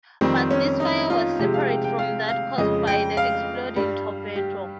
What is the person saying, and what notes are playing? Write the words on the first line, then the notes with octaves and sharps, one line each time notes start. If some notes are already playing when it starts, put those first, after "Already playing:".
But this fire was separate from that caused by the exploding torpedo.
F2 D#3 G3 C4
C#4
D#4
F4
C3 F3 G#3 G4
F5
G5
G5
F5
F5
F2 C#3 G#3 D#5
G5
F5
G2 G3
G4